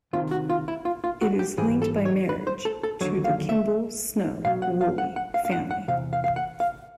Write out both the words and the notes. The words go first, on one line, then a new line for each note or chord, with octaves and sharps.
It is linked by marriage to the Kimball-Snow-Woolley family.
C2 C3 D#3 F4
F#4
F4
E4
F4
F4
F#4
G4
G#2 E3 G3 G#4
A4
C#5
B4
C5
A4
A4
D#2 D3 F#3 C#5
F5
E5
B1 B2 F#3 F5
F#5
F5
F#5
F#5
F5
F5
F#5
F#5
E2 C3 F5
F5
F5
F#5
F5